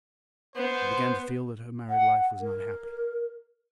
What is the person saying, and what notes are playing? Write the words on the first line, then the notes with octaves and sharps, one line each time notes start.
I began to feel that her married life was not happy.
B3 C5
F#5
A#4